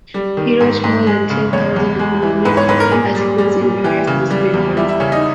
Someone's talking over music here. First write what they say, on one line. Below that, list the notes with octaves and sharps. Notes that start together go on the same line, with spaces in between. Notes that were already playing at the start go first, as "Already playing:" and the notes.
He wrote more than ten thousand economic articles in various newspapers.
G3
D#3
G#2
G#2
G#3
C#3
E2 C#5
E2
G#3
E3
G#2 B4
C#5
G#2 B4
A#4
A#2 G#4
G3
G3
A#2
E3 G4
C#3
G3
E2
G3 E4
E4
C#3 C#4
D#4